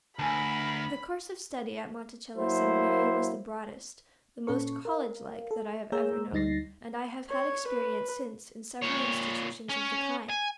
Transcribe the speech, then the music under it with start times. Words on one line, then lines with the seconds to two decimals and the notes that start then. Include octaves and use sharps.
The course of study at Monticello Seminary was the broadest, the most college-like, that I have ever known; and I have had experience since in several institutions of the kind.
0.19 D2 A#4 G#5 A5 B5
2.37 F#3 A#3 E4 C5
4.47 A#2 C#4 A4 C#6
4.85 A#4 F5
5.51 A4
5.92 A#3 G#4 C#5 A#5 E6 G6
6.32 D2 G3 D#4 A6 A#6 C7
7.30 C#5
7.68 B4
8.82 A#2 C#5
9.69 C#4
10.30 G#5